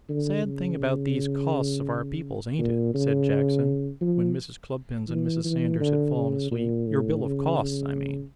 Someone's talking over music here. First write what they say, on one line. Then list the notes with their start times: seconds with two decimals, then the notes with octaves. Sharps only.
'Sad thing about these costs of our people's, ain't it,' said Jackson, when Mrs. Cluppins and Mrs. Sanders had fallen asleep; 'your bill of costs, I mean.'
0.09 D3
0.45 C#3
2.59 A#2
2.94 C#3
4.01 F3
5.09 E3
5.44 E3
5.80 D3
6.15 C#3
6.51 A#2
6.87 A2
7.23 C#3
7.59 C#3